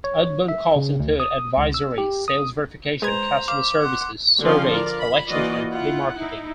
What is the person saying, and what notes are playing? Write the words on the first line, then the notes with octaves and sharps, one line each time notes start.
Outbound calls include advisories, sales verification, customer services, surveys, collections and telemarketing.
C#5
E5
C#3
D2
D#6
C#2
E6
G4
D#6
G#3 B4 C5 A#5 G#6
F5 D6
F#5 C6
D3 F3 C4 C#4 F5 C6
F4 A#4 D5
B5
E3 A#3 F4 F#4 D5 D#5
E4 F4 F#5
D#4 E4